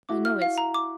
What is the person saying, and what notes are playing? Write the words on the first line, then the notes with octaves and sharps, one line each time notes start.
"I know it."
E4 F#4 D6
F6
F5
A#5
D6